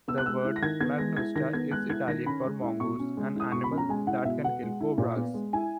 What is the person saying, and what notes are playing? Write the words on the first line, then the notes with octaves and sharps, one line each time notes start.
The word "mangusta" is Italian for "mongoose", an animal that can kill cobras.
B3 E6
F#6
G#3 E6
E4
A#6
D#3 G#6
B3 G#6
G#3 A#6
E4 G#6
D#3 A#6
B3 G#6
G#3 F#6
E4 G#6
D#3 A#6
C#4 B5
G#3
E4
B2 C#6
C#4
G#3
E4 D#6
B2 C#6
B5
C#4
A#5
G#3 G#5
E4 F#5
B2 E5
B3 F#5
G#3
E4
A#2
B3
G#3
E4 G#5